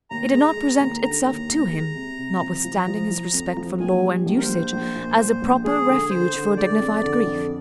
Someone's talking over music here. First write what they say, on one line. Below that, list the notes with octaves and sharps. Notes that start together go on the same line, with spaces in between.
It did not present itself to him, notwithstanding his respect for law and usage, as a proper refuge for dignified grief.
D#2 A#5
G#3
G#3
D#2
D3 A#5
D#2
D#2
G#3
C3
C3
F3
F3
F3
F3
F2
F3
A#1 G#5
G3
A#1
A#4
C5
A#1
A#1
A#2
A#2
A#1
G#3 G#4
D3
D3 C5
D3
G#3 D5
F2
D3
F2